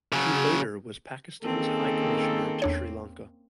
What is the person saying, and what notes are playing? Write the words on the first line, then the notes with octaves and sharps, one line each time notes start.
He later was Pakistan's High Commissioner to Sri Lanka.
C#3 F#3
D#3 A#3 C4 C#4 G#4 A4
E2 D4 C#5